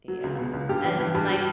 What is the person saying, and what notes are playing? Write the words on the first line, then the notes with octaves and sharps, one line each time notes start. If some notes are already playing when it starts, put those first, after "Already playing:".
Yeah. And my
F#3
C#2
B2
C#2
G2 G4
E3
E3
G2
F#3